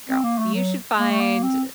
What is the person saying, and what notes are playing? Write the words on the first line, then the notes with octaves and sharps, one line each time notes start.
girl, you should find,
C4
A#3
A3
F#3
A#3
A3
A#3
C4